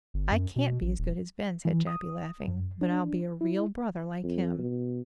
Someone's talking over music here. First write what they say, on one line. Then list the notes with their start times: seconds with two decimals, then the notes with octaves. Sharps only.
"I can't be as good as Ben," said Jappy, laughing, "but I'll be a real brother like him."
0.14 G1
0.31 F#2
0.56 B2
0.82 A1
0.99 D#1
1.65 E3
1.87 D#6
2.48 F#2
2.81 D4
3.41 E4
4.24 F2
4.58 B2